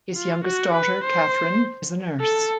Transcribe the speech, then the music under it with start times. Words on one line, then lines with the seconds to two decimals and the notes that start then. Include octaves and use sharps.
His youngest daughter, Catherine, is a nurse.
0.16 F4
0.45 F#4
0.75 B4
1.04 C5
2.20 A4